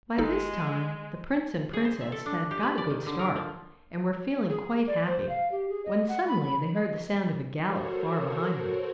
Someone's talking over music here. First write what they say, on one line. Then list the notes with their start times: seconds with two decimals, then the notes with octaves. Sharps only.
By this time the prince and princess had got a good start, and were feeling quite happy, when suddenly they heard the sound of a gallop far behind them.
0.18 G1 G#3 D#4 A4
1.73 G#4
1.85 C5
2.01 E5
2.12 A4
2.26 D4
2.51 G4
2.63 B4
2.78 D5
2.90 D#3
3.06 D3
3.19 A#4
3.36 F3
4.50 G#4
4.88 D5
5.07 C5
5.29 F5
5.52 G4
5.69 G#4
5.86 D#5
6.09 F#5
6.28 B5
6.75 D#5
7.63 F#4 A4 A#4 C5 C#5